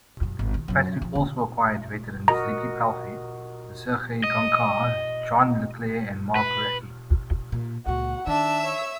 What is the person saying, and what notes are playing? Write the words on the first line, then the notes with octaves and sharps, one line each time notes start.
Patrick also acquired veterans Ziggy Palffy, Sergei Gonchar, John LeClair and Mark Recchi.
F#2
G#1
D#3 E3
F#2 F#3
F3
D#1
F#4 A#4 D#5 A#5
D#5
B4
A#2
C#2 A#2 F#4 F#5
D#3 D4 E5 E6
C#5